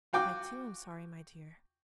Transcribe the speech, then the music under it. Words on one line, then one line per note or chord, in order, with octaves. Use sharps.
'I too, am sorry, my dear.
F4 F#4 G5 D6